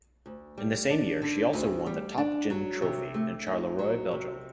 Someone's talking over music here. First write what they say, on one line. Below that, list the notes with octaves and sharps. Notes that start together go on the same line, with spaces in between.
In the same year she also won the Top Gym Trophy in Charleroi, Belgium.
D2
G3
D4
D3
D2
G3
D4
F#3
C3
A3
D#4
F#3
C3